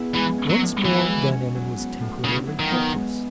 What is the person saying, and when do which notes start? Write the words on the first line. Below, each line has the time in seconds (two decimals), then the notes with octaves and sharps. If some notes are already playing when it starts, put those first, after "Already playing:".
Once more Van Emmon was temporarily helpless.
Already playing: B3 E4 G#4
0.15 E3 G#3
0.38 C#4
0.50 F#3
0.62 A2
0.85 E3 F#4
1.08 G#3
1.32 C#4
1.55 F#3
1.78 B3
2.01 A2
2.24 C#3 E4
2.47 F#3
2.59 D#3
2.71 B3
2.94 G#3